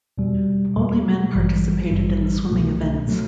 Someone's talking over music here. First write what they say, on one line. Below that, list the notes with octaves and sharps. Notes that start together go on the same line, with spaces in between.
Only men participated in the swimming events.
E2 B2 G3
E2 B2 G3
A1 G2 E3 G3
A1 G2 E3 G3
C2 B2 F#3 A3
B2 F#3 A3